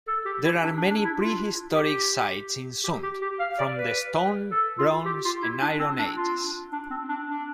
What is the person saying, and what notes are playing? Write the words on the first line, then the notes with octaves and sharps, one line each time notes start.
There are many pre-historic sites in Sund from the Stone, Bronze and Iron Ages.
A4
G4
E4
D4
D4
D4
E4
F4
G4
G4
G4
G4
F5
D5
B4
A4
F4
G4
F4
E4
D4
C4
D4
F4
D4
C4
D4
D4